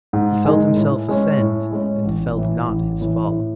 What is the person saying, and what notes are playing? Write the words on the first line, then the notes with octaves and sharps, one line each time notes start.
He felt himself ascend, and felt not his fall.
G#2
D#3 G#3 D#4 G#4
A2
G#3 C#4
A2
G#3 C#4
A1
A2 E3
A1
A2 E3
A2